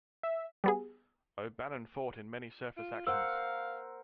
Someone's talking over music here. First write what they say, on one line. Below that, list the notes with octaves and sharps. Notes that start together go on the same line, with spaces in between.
"O'Bannon" fought in many surface actions.
E5
G3 B3 G#4
F4
A#4 C5 F5 F#5 E6